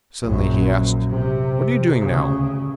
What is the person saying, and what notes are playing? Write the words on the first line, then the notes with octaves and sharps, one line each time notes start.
Suddenly he asked: "What are you doing now?"
A#1 F#2
C3
D2 C#3